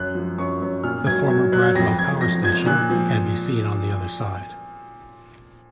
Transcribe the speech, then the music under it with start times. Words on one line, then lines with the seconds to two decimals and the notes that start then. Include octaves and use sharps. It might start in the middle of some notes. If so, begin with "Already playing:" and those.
The former Bradwell Power Station can be seen on the other side.
Already playing: F#2 F#6
0.15 F3
0.38 F#2 C#6
0.62 F#2
0.83 A#2 F6
1.07 F#3 G#6
1.30 F#3 G#6
1.52 F#3 F#6
1.75 F2 A#6
1.98 F2 G#6
2.21 F3 A#6
2.44 F3 G#6
2.66 A#2 F#6
2.90 F3